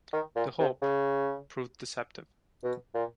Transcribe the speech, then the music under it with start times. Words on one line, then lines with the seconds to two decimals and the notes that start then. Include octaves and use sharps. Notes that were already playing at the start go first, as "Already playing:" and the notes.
The hope proved deceptive.
0.13 D#3
0.36 A#2
0.60 C3
0.82 C#3
2.64 B2
2.94 A#2